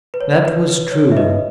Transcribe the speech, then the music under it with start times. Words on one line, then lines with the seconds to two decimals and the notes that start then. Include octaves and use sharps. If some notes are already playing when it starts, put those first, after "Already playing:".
That was true.
0.14 B4
0.21 C#5
0.45 B4
0.69 B4
0.92 C#5
1.12 E5
1.17 B4 D#5